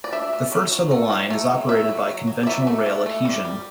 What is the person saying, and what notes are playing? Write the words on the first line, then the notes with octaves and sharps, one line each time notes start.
The first of the line is operated by conventional rail adhesion.
D5
D4 E5
A3
F#3
F#3
A3
F#3
A3
F#3
F#3 E5
F#3
F#3
F#3
D5
F#3 E5
A3
D4
A3
G3
G3